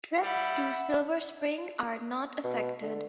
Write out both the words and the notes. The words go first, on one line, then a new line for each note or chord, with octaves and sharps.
Trips to Silver Spring are not affected.
G3 E5 F#5 B5
B2
D3